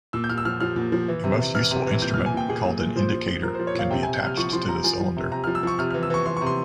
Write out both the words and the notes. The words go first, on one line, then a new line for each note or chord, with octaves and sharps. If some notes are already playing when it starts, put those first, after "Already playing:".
A most useful instrument, called an indicator, can be attached to the cylinder.
A#2 E6
G6
A#2 F6
E6
F3 F6
F3 F6
A#2
F3
E3
C3
C3
E3 F6
C3
E3
A#2 G6
F6
A#2
G#5
A#2 G5
A#2 G#4
A#2
A#2
F3 C5
F3
F3
F3 A#4
C5
F3
C#5
A#2 F5
C3 G5
G#5
C3
G6
C3 F6
F3 C#6
F3 C6
F3 A#5
F3 G#5
F3
C3
C3 A#5
F6
F3
E6
F3 C#6
C3 F6
F6
E3
E6
E3 C#6
E3 C6
C3 C#6
C6